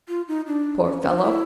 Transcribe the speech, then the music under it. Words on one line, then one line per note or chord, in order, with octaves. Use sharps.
Poor fellow!
F4
D#4
D4
C#4
C#4
D4
D#4
E4